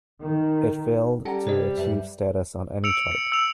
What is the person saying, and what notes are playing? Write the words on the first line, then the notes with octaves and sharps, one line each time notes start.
It failed to achieve status on any chart.
D#3
G3 C#4 A4 F#5 G5 A#5
C3 C5 D5 D#5
F#2 B4 E5
E6 C#7 D7 F7
C#7
E6 F7